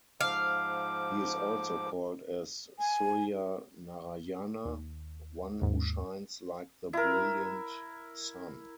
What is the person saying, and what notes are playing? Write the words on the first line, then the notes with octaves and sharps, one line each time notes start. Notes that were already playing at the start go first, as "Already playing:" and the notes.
He is also called as "Surya Narayana", one who shines like the brilliant sun.
G#2 F3 F5 D6
G#5
D#2
D#2 G#2
E4 A#4